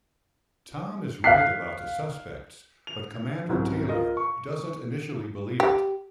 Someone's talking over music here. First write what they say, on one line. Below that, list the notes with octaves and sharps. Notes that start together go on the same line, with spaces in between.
Tom is right about the suspects, but Commander Taylor doesn't initially believe it.
F5 F6 F#6 B6 C7
F7
C2 G#2 F#3 C#4
F4 A#4 D#5
C#6
G4